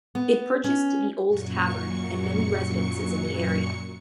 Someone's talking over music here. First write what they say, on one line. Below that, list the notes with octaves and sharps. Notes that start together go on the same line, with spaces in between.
It purchased the Old Tavern and many residences in the area.
B3
C#4
F#2 A#2 F#3 C#6 C#7